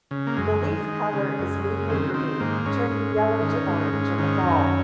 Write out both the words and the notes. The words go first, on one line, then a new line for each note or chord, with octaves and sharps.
The leaf color is medium green, turning yellow to orange in the fall.
C#3
A#3
F#2 G#3
D#3
D#3
C#3
F#2
C#3
D#3 C4
D#3 C4
G#2 A#3
G#2 C#4
G#2
G#2
D#3
G#2
G#2
D#3 C#4
F#2